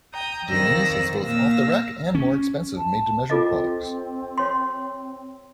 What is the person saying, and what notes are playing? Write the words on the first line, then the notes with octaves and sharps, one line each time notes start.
Dainese has both off-the-rack and more expensive made to measure products.
G5 A#5 D#6
F2 D#3 D5 E6 A#6
A#2 F5 E6 A#6
C#4
A5
C4 F4 A4 D#5
C#5 C6